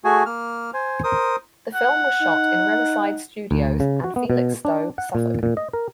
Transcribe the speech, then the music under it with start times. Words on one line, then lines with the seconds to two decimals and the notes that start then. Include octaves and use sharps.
The film was shot in Riverside Studios, and Felixstowe, Suffolk.
0.04 A3 F#4 G#4 G#5
0.26 A#3 F6
0.74 C5 G#5
1.04 A#4 C5 D#6
1.75 F#5
2.22 D#4
3.51 D2
3.80 C#3
4.04 F#4
4.16 B3
4.30 B2
4.65 D4
4.98 F#5
5.15 A#2
5.43 A#2
5.57 D#5
5.73 A#4